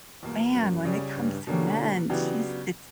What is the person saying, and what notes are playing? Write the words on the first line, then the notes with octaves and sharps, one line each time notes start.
man, when it comes to men, she's it's
E2 B2 A#3
F#2
C#2 C#3 G3 C#4
G2
B2 D3 A#3 C#4 G4
C#3 E3 F#3 B3 D4 G4